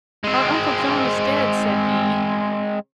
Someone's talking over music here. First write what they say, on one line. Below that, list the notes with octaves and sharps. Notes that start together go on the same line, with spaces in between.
"Our uncle John is dead," said he.
G#3 C4